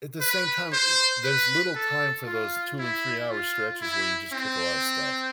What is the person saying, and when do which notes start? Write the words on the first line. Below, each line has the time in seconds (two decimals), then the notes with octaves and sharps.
at the same time, there's little time for those two and three-hour stretches where you just cook a lot of stuff,
0.20 B4
0.72 C5
1.24 B4
1.75 A4
2.26 F4
2.79 E4
3.29 F4
3.81 E4
4.32 C4